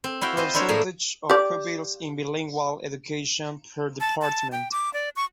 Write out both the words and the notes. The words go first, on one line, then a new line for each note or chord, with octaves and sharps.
Percentage of pupils in bilingual education per department.
C4
E4 F#4 F5 G5
F4 C5 D#5
D4 E4 A#4 C5 C#5
A2 A#3 G#4 A#4 D5
G4 D5
A5
A5
G5
D6
D5
C#6